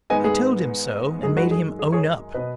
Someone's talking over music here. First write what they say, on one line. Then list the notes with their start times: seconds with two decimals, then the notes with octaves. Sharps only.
I told him so, and made him own up.
0.10 G#2 D#3 G#3 B3 D#5 G#5
0.24 G#4
1.23 F#2 D#3 G#3 G#4
1.37 F#4 B4
1.51 G#4
1.79 G#4
1.92 G#4 C#5
2.34 B2 B3 B4 D#5